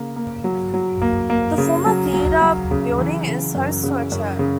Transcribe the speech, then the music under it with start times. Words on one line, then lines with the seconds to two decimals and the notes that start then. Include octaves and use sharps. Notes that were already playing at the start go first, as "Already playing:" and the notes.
The former theater building is host to a church.
Already playing: C#3 A#3
0.16 A#3
0.44 F#3
0.74 F#3
1.02 A#3
1.30 A#3
1.58 C#3
1.86 F#3
2.13 F#3
2.42 F#3
2.71 C#3
2.98 E3
3.27 C#3
3.55 F#2
3.83 C#3
4.12 F#2
4.39 C#3